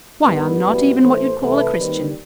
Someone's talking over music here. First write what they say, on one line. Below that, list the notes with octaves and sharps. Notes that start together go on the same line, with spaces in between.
Why, I'm not even what you'd call a Christian.
G2 D#3 G3 B3 B4
F#2 E3 G3 B3
A1 A2 E3 C5
C2 C3 E3 A3 B4
D#2 D#3 G3 C4